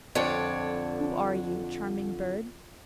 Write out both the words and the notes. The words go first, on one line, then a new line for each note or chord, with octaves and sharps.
"Who are you, charming bird?"
F2 D3 C#5 D5